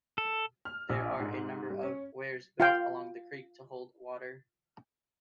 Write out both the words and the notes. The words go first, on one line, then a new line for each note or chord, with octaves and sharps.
There are a number of weirs built along the creek to hold water.
A4
F6
A#1
G#2
G3
C#4
F4 F5 G5